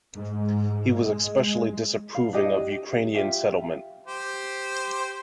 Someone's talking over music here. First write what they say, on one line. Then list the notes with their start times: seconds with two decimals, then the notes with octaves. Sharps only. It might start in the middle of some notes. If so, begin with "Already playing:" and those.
He was especially disapproving of Ukrainian settlement.
0.15 G#2
1.04 G#3
2.15 F5
2.33 D4 E4 G4 D#5
2.72 G4
3.14 F4 G4 E5 G5
4.07 G4 C5